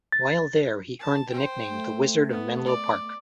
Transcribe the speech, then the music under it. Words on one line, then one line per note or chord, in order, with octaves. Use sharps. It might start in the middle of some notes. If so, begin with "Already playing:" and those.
While there he earned the nickname the Wizard of Menlo Park.
A6
A5
C5 G5
A3
B3
D5